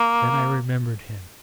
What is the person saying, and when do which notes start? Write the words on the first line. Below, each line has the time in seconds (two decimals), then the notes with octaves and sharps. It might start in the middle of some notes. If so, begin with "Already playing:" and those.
Then I remembered him.
Already playing: A#3